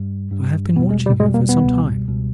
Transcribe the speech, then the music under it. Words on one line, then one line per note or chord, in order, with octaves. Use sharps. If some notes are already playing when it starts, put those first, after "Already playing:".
"I have been watching you for some time."
Already playing: G2 G3
G2 G3
E2 B2 G3 B3
G#3
G3
E2 B2 G3 G#3
A#3
B3
C#2 B2 G3
C#2 B2 G3